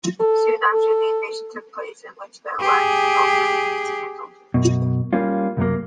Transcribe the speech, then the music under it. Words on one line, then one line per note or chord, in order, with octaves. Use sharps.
Soon after, "The Invasion" took place, in which The Alliance was ultimately dismantled.
A4
A4
G4 G#4
F#2 B2
G3 A#3 C#4 F4
C2 F#2 F#3 A#3